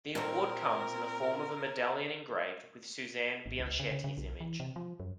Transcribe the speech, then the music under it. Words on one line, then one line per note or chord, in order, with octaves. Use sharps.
The award comes in the form of a medallion engraved with Suzanne Bianchetti's image.
A#2 C4 A#4
G#1
C#2
C#3
C#3
C#3
B1
E3
C3
F3
F#2